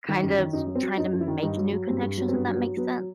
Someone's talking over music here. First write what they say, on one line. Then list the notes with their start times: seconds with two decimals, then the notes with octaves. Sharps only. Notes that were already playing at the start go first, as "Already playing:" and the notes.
kind of trying to make new connections, if that makes sense,
0.08 D#3
0.23 F#2
0.38 D#3
0.53 F#2 D#4
0.67 F#3
0.75 C4
0.83 F#3
0.97 F#2 D#4
1.13 F#2
1.20 E4
1.28 D#3
1.43 G2 D#4
1.57 F#3
1.72 F#3
1.87 G2 C4
2.03 G2
2.18 F#3
2.29 C4
2.33 G2 B3
2.47 F#3
2.55 B3
2.62 F#3
2.77 F#3 B3